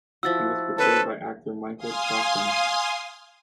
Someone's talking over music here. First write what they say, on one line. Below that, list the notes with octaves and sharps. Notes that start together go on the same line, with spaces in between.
He was portrayed by actor Michael Troughton.
F3 E4 F#4 E6 A6
C#4 D#4 A4 B4 C5
F5 G#5 C6 D#6